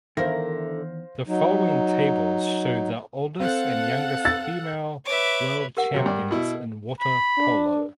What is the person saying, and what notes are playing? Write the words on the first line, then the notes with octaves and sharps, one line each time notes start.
The following tables show the oldest and youngest female world champions in water polo.
E2 D3 D#3 E4 A#4 C5 F5 A#6
F#3 D#4
C4 A4 F5 F#5
E6 A6
B4 C#5 E5 D6
G4 A#4 F#5
C3 F#3
G2 D5
B2 E4
B5
D4